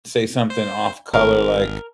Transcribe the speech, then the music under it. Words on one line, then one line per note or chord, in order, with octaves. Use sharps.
say something off color like,
C5
G#1 A#4